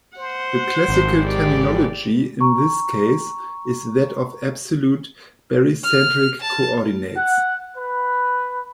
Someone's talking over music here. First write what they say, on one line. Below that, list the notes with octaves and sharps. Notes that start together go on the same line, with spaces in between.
The classical terminology in this case is that of absolute barycentric coordinates.
C5 F#5
G#1
G4 D5
A#5 C#6
F6
A5
F#5
B4